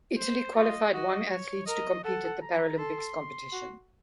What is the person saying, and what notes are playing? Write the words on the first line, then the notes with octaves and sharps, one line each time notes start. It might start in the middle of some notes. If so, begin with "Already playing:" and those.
Italy qualified one athletes to compete at the Paralympics competition.
C5
F4 D#5
F#4 D#5
C#5
A#4 D#5
A4 F#5
A#5
A4 C6
F#4